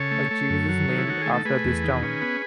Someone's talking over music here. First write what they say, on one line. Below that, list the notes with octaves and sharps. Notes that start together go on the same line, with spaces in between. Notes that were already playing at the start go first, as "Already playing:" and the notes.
A cheese is named after this town.
Already playing: C#3 A4 C#5
A3
A3
F#2
F#3
D#3
E4
D#3 F#4
A3 G#4
A4
A3 G#4 B4
E2
D#3
C#4
B3